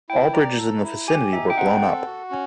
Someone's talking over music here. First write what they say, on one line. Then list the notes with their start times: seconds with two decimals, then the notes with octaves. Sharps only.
All bridges in the vicinity were blown up.
0.09 E4 G5
0.33 D5 A#5
0.58 A4
0.83 E4
1.07 G4 G#5
1.33 D#4 E5
1.50 G5
1.57 C4 F#5
1.81 A4
2.07 F#4
2.31 C#4